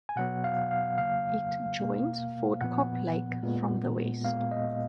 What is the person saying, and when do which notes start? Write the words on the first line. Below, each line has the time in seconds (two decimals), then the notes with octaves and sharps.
It joins Fort Cobb Lake from the west.
0.09 G#5
0.16 B2 F#3 B3 F#5
0.44 F5
0.71 F5
0.98 C#3 F#3 A#3 F5
1.79 B2 A#3
2.61 A#2 F3 B3 F#5
3.43 A#2 G#3 B3
4.24 A#2 G#3 B3 F5
4.51 D#5